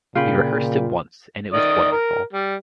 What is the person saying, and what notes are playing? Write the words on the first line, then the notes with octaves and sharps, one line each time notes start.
We rehearsed it once and it was wonderful.
A#2 C#3 F4 G#4 G5 B5
D#3 D5 D#6
A#4
G3